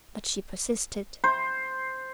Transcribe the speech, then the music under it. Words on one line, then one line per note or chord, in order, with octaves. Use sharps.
But she persisted.
C5